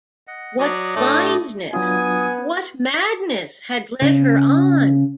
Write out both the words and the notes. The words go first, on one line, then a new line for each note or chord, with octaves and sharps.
What blindness, what madness, had led her on!
D#5 F#5
F#3 D5 D#5 D#6
A2 A3 D4
F#3 B3 D4 F4 G#5 D#6
C#3